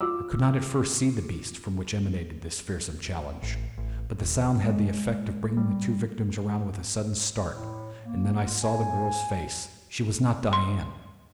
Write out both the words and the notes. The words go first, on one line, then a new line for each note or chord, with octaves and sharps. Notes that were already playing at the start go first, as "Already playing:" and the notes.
I could not at first see the beast from which emanated this fearsome challenge, but the sound had the effect of bringing the two victims around with a sudden start, and then I saw the girl's face--she was not Dian!
F4 D6 E6
A1
A1
D#1
G#3
G3
A2
A#3
F4
G#5
C6